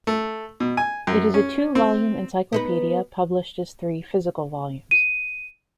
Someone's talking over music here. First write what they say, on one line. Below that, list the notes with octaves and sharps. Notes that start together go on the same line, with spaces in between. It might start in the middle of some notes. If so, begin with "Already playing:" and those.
It is a "two-volume" encyclopedia published as three "physical" volumes.
A3
B2
G#5
F#2
C#4
C4
B3 D#4 B4
D#7